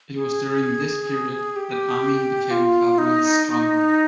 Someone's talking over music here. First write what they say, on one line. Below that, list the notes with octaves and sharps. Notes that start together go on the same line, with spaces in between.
It was during this period that Amin became Kabul's strongman.
G#4
G4
F4
D#4
D#4